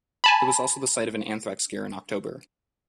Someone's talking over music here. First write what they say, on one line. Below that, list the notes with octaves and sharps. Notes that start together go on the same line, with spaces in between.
It was also the site of an anthrax scare in October.
G#5 A5 B5